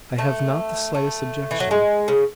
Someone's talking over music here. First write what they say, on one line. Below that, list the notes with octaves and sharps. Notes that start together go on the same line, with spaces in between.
I have not the slightest objection.
A3
A3
E3
F#3
G#3
C#3